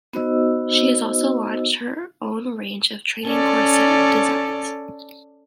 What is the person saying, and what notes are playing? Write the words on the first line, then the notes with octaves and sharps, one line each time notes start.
She has also launched her own range of Training Corset designs.
B3 D#4 F#4 C5 D#5 E6
C#4 A4 D5